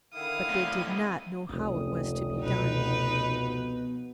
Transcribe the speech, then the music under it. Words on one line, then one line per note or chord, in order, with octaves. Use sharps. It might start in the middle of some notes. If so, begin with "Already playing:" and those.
But they did not know how it was to be done.
D3 D#3 E4 F5 D#6
A2 C3
F1 C#2 C#3 D#6
B2 D#4 B4